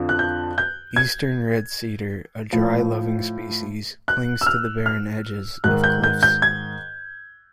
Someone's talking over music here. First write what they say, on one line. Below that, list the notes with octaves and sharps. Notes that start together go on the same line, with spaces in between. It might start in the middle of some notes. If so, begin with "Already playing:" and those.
Eastern red cedar, a dry-loving species, clings to the barren edges of cliffs.
Already playing: F2 D3 F3
F#6
G6
G6
G#6
A2 F3
F#6
E6
F6
F6
G#2 D#3 F#6
G6
G6
G6
G#6